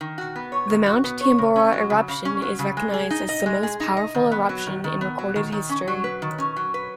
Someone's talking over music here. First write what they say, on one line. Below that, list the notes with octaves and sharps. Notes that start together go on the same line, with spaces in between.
The Mount Tambora eruption is recognized as the most powerful eruption in recorded history.
D#3
F#4
B3
C#5
D#3
F#4
B3
C#5
C#3
C#4
F#3
C#3
C#3
C#4
F#3
C#3
G#3
G#4
D#4
D#5
G#3
G#4
D#4
D#5
D#3
B3
F#3
D#3
D#3
B3
F#3
D#3
D#3
C#4
F#3
B4
D#3
C#4
F#3
B4